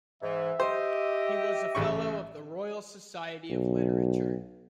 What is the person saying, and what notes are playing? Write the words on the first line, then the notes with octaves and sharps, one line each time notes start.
He was a fellow of the Royal Society of Literature.
G#2 E3 E5
G4 C5 D#5
A1 C#3 C#6
B1